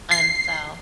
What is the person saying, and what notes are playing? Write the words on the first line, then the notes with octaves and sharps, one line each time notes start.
And so
C7